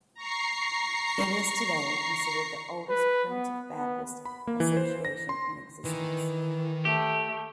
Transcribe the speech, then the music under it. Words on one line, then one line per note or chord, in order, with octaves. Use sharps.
It is today considered the oldest Primitive Baptist association in existence.
A#5 C#6 C7
B4
B3
B3
B5
A#3
E3
C5
A#6
C6
D#3 E3
A3 G4